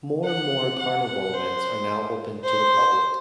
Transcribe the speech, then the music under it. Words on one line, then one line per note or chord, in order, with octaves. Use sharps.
More and more Carnival events are now open to the public.
F#5
F#5
C5
C5